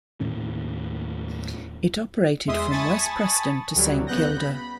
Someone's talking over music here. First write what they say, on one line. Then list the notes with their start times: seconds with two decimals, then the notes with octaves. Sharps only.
It operated from West Preston to Saint Kilda.
0.20 D#2 A2 D#3 C#4
2.47 E2 G#3 E5 C6 D#6
2.70 G#5 A5 B5 C#6 D#6 A6
3.75 D2 F#3 G3
4.06 C#3 B3 F#6 G6 A#6
4.37 B5